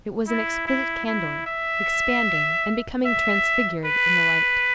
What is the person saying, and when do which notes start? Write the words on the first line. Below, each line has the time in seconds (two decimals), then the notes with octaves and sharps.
It was an exquisite candor expanding and becoming transfigured in the light.
0.27 E4
0.67 E4
1.06 E4
1.46 E5
3.05 E5
3.85 B4